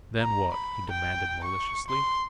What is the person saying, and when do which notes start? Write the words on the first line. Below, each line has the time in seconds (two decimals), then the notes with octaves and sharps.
"Then what?" he demanded maliciously.
0.20 A#5
0.53 B5
0.91 G5
1.44 C#6
1.89 C6